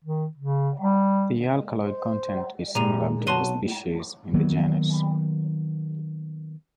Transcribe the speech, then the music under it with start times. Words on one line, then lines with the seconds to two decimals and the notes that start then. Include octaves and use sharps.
The alkaloid content is similar between the species in the genus.
0.04 D#3
0.37 C#3
0.81 G3
1.85 C5
2.75 A#2 G3 G#3 A#5 D#7 F7
3.27 B1 F#3 F#5 A5 C6 D#7
4.34 D#3 F#3 A#3 B3